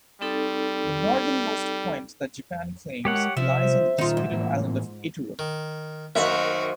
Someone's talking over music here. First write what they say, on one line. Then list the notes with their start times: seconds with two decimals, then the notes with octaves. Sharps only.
The northernmost point that Japan claims lies on the disputed island of Iturup.
0.22 G3 C4 D#4 A4
3.05 G#3 G4 A#4 C#5 F#5
3.37 C3 F3 E5
3.98 A#2 D#3 D#4 F4
4.17 G#2
4.31 A2 E3 A#3
5.39 D#3
6.15 F#2 D#3 A#3 F#4 C5 D#5 E5 A#5